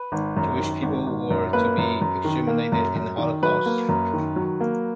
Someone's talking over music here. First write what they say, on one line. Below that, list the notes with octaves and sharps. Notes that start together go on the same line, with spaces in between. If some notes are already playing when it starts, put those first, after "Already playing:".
Jewish people were to be exterminated in the Holocaust.
Already playing: B4
G#1
F#2
D#3
G#1
G#1
F#2
A#3 B4
F#2
F#2
D#3
A#3
F#2
F#2
D#3
F#3 B4
A#3
F#2
D#3
F#3
A#3